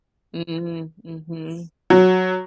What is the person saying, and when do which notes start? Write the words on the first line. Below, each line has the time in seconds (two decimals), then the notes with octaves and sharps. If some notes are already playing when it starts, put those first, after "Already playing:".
Mhm, mhm.
1.90 F#3